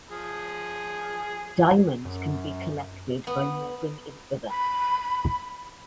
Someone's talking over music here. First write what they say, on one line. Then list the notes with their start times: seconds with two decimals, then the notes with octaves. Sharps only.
Diamonds can be collected by moving into them.
0.10 F3 G#4
2.05 F#2
3.27 B3
4.50 B5